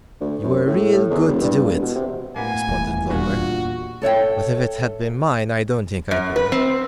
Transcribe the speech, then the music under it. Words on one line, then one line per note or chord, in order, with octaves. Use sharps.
"You were real good to do it," responded Clover; "but if it had been mine I don't think I could."
D2
F#2
A2
A2
E2
E1
G2
E1
B2
C3
A2 A#3 B3 G#5
D#1 E2
G2 A#2 F4 F#4
A4 C#5 E5 G5
F#2
B4
C4